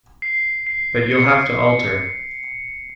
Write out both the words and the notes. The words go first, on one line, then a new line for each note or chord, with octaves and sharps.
But you’ll have to alter.
C7
C7
C#7